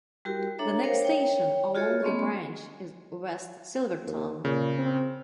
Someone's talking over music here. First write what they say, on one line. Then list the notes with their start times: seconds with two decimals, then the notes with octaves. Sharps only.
The next station along the branch is West Silvertown.
0.25 G3 E4 F#4 G4 A#4
0.59 D4 A4 C#5 E5 A#5
0.83 A#4 C5 C#5 F5 G5
1.02 C#5 G5
1.75 F4 F#4 G#4 A4 C#5 E5
2.02 A3 B3 C#4 D#5 C6 C#6
4.07 D#2
4.45 A#2 C#3
4.79 C4